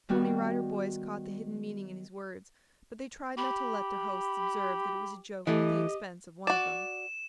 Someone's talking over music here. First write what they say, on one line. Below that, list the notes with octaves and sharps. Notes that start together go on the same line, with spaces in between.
The Pony Rider Boys caught the hidden meaning in his words, but they tried not to let their hosts observe that it was a joke at the expense of one of them.
D#3 G3 B3 F#4
G4 B5
E3 A3 G4 D#5
F#4 D5 E7